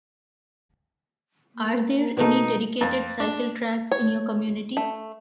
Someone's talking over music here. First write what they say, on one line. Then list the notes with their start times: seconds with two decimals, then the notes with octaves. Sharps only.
Are there any dedicated cycle tracks in your community?
1.54 A#3
2.17 B2 A3 D#4
2.81 F2
3.20 D4
3.92 C#5
4.77 A3